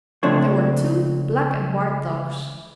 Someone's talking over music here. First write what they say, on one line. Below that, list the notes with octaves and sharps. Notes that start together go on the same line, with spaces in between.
There were two black and white dogs.
C#2 F3 A3 C4 D4 C#5